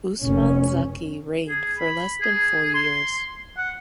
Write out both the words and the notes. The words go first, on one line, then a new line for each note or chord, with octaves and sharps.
Usman Zaki reigned for less than four years.
F1 C#4
G#4
B5
G#4
C6
F#5